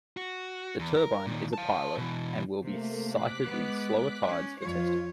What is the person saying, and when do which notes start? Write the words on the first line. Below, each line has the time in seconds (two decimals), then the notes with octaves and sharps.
The turbine is a pilot, and will be sited in slower tides for testing.
0.17 F#4
0.79 E2
0.97 A#4
1.27 A#2 D#3
1.53 F5 A5
1.98 B2 E3
2.63 C3 A3 A#3
3.07 D6 F#6 B6
3.45 G#3 B3
4.28 C#4
4.60 F2 F3 F4 C#5